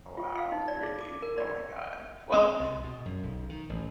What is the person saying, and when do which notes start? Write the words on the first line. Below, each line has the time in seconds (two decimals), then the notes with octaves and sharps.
wow, really? Oh my god. Well,
0.17 F4
0.38 F5
0.52 D#4
0.68 D5
0.83 G#4
1.01 D6
1.22 A#4
1.38 D5
2.34 C4
2.60 C2
2.84 B2
3.06 F#2
3.23 B1
3.49 D#3
3.69 A1